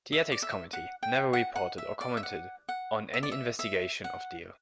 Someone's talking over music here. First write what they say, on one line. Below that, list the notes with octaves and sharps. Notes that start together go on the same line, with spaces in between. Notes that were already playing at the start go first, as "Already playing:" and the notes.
The Ethics Committee never reported or commented on any investigation of Deal.
E5
D5
E5
F#5
G5
F#5
F#5
E5
D5
E5
F#5
F#5
E5
D5
E5
E5
F#5